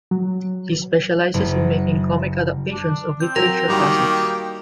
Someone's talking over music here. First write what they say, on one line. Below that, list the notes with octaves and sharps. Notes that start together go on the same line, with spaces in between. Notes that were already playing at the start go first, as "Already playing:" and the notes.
He specializes in making comic adaptations of literature classics.
F#3
F#1
D4
C4 G6
F#3 A#4 E5
D#3 G3 A#3 F#4 G4